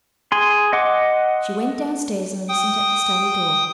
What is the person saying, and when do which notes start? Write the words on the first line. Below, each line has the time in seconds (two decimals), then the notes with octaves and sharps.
She went down-stairs, and listened at the study door.
0.32 G#4 C6
0.73 D#5 F#5 C6 D6
2.48 G5 D#6